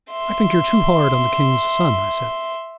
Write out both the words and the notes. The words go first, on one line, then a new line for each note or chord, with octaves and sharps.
"I think you're too hard on the king's son," I said.
E5 C6